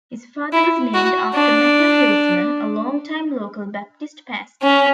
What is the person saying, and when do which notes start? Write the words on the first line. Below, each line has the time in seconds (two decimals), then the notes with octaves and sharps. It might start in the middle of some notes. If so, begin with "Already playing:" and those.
His father was named after Matthew Hillsman, a long-time local Baptist pastor.
0.52 E4
0.94 F#4
1.34 D4
4.62 C#4